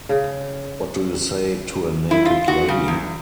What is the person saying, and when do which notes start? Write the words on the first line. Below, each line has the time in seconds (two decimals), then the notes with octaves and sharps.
What Do You Say to a Naked Lady?
0.09 C#3
2.11 E4
2.25 F4
2.48 F#4
2.68 C#3
2.88 E2